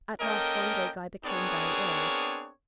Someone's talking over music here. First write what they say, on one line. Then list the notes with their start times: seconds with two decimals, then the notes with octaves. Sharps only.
At last one day Guy became very ill.
0.20 A#3 C#4 A4 A#4 D#5 G5
1.25 B3 C4 D4 G#4 A#4 C#5